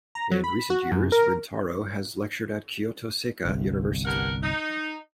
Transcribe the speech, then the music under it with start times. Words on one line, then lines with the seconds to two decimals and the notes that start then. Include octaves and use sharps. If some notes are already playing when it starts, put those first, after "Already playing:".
In recent years, Rintaro has lectured at Kyoto Seika University.
0.15 A#5
0.31 F#3
0.44 B5
0.70 F#4
0.91 F#2
1.12 A#4
3.45 G1 C2
4.05 G2 A#4 F#5
4.42 D#4